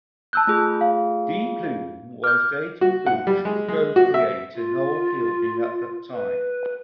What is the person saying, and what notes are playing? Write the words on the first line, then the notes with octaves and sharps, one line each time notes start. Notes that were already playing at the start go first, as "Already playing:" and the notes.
Dee Plume was dating Boosh co-creator Noel Fielding at that time.
A5 E6 F#6 G6
A3 F4 G#4
F5
D6 F6 G6
F#4
F#5
G3
G#3
G#3
F#4
E5
F4
B4